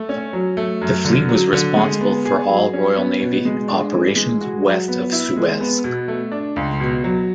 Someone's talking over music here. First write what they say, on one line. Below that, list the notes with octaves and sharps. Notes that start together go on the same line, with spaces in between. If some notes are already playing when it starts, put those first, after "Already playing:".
The fleet was responsible for all Royal Navy operations "West of Suez".
Already playing: A3
C#4
F#3
A3
F#2
D3
F#3
D3
G#3
B3
G#4
F#3
C#4
B3
B2
G#3
D4
E3
G#3
F#4
F#3
B3
E4
G#3
B3
B2
A3
D4
C#2
B2
F#3